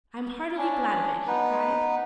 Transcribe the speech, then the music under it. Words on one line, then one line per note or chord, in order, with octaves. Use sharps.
"I am heartily glad of it," he cried.
C#4 D4
B3 D#4 B4